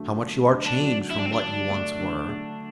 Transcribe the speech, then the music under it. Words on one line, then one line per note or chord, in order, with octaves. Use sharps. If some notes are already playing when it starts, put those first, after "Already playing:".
How much you are changed from what you once were!
Already playing: D3 F#3 A3
D3
D3
D4
F#3
D3 E4
D4
C4
D4
D3
A3
D3
A3